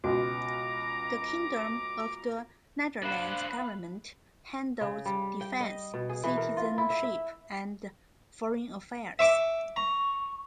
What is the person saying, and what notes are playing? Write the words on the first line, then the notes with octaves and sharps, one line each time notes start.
The 'Kingdom of the Netherlands' Government handles defense, citizenship and foreign affairs.
C#2 B2 F#4 A#5 D6
D4 C5 F5 B5 F#6
C#3
G3
G5
D#5
B2
G#4
E3
A#4
F4
E4
E5
E5
E5 C#6 D6
A#5 C#6